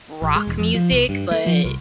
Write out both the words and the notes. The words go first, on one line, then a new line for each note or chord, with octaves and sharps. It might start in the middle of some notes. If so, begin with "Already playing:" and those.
rock music, but,
A1
G#3
E1
F2
F3
C2
G2
A3
F3
C2